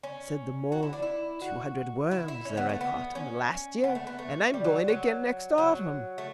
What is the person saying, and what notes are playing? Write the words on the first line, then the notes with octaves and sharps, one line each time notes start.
Said the mole, "Two hundred worms--there I caught 'em Last year, and I'm going again next autumn."
C#4
F#4
E4
D4
E4
F#4
E4
E4
C#4
B3
A3
B3
C#4
B3
A3
B3
A3
G3
F#3
F#3
F#3
A3